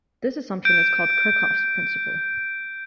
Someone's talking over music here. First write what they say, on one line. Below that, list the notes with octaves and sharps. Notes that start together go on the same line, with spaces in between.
This assumption is called Kerckhoffs's principle.
G6 D7